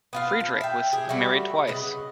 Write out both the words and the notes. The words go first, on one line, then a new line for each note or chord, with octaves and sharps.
Friedrich was married twice.
B3 F4 F5
A5
E5 G5
G4 G#4
G3 A3 F#4 E5
C#3 B3 D#5